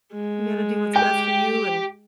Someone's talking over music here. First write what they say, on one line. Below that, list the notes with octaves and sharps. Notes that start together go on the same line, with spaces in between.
you gotta do what’s best for you and
G#3
G4 G5